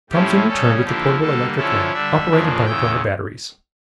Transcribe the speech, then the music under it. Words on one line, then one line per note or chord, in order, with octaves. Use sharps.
Tom soon returned with the portable electric lamp, operated by dry batteries.
A2 F3 C#4 E4 G4
C#3 G3 C#4 A4
D3 F3 A#3 E4 G4
D3 G3 A#3 A4
D3 F3 C#4 E4 A4
D3 G3 D4 E5
F2 C#3 F3 A#3 D4
E2 C#3 E3 G5